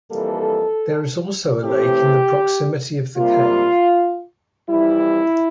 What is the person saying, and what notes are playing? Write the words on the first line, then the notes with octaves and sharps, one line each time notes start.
There is also a lake in the proximity of the cave.
F2 E3 G3 A#3 A4
A2 E3 A3 C4 G4
C3 G3 A#3 F4
F2 E3 G3 E4